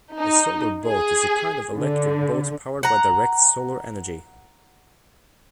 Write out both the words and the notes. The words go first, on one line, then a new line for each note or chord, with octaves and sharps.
A solar boat is a kind of electric boat powered by direct solar energy.
D#4
G#4
D3
F#5 A#5